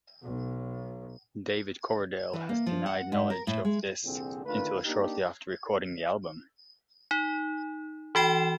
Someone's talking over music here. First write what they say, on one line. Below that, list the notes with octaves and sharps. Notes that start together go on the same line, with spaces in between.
David Coverdale has denied knowledge of this until shortly after recording the album.
B1
E3
A#3
F3
F#5
G#2
A#4
A2
G#3
C2 F2 A#2 D3 C4 G#4
D3 D#3 A3 F4 B4
A#3 D4 D#4 G4
D#4
E3 F#4 G5 E7